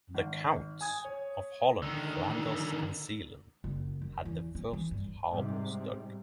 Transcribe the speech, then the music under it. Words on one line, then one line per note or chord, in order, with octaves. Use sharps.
The Counts of Holland, Flanders, and Zeeland had the first harbours dug.
G#1
G#5 D#6 G#6
C#5
D3 D#3
F#1
F#2
E2
C#4
E3
G2
G#2 C3 G3